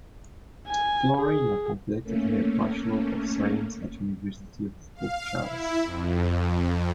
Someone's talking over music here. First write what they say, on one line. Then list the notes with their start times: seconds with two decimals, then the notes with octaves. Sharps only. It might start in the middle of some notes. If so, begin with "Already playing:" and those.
Floriana completed her Bachelor of Science at University of Bucharest.
0.68 G#5
1.17 G#4
2.03 A3 A#3 C#4
4.95 F5
5.39 E4
5.82 F2